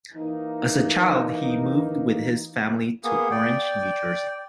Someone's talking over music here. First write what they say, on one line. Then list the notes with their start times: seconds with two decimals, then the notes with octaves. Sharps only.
As a child, he moved with his family to Orange, New Jersey.
0.14 E3 A#3 D#4
3.04 A#3 B3 G#4
3.31 D5 G5